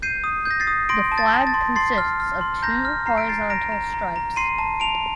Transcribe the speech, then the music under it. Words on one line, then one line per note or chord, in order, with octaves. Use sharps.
The flag consists of two horizontal stripes.
G6 C7 D#7
D#6
G6
A#6
A6 C7
D#6
C6 A#6 D7
A5
A6
A5
A6
C6
C6 A6 C7
F6
F6
C6
A#5 G6 A#6
F6
A#5 C7
D7
A#5 A6 C7
A#5 A#6 D7
A#5
A#5
A#5
C6 C7 D#7
A5
A5 D7 F7